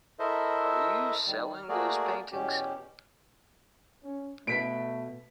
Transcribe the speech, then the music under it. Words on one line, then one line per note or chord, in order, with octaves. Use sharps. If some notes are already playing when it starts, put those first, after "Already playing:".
Are you selling those paintings?
E4 A4 A#4 C5 D#5 E5
D#3 G3
F6
A3 A#3 F#4 G#4 A#4 D5
E2 B2 C#4 G4
C#4
B2 A3 B3 B6 D7